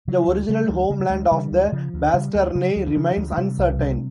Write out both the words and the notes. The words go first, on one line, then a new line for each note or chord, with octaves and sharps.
The original homeland of the Bastarnae remains uncertain.
C#3 F#3
D2
C#3 G3
D2
C#3 G#3
G3
D2 G#3
C#3 G3
D2
C#3 F3
D2
C#3 G3
D2
C#3 F#3
D2
E3
C#3 F3
D2
G#3
C3 G3
C2
C3